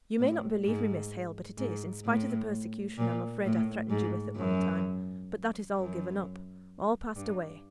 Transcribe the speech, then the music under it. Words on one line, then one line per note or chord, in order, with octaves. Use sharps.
You may not believe me, Miss Hale, but it is--in spite of the persecution I'm afraid I threatened you with at one time--but that is all given up; all passed away.
A2
G#2
G#2
A2
A#2
A2
G#2
F#2
F#2
G2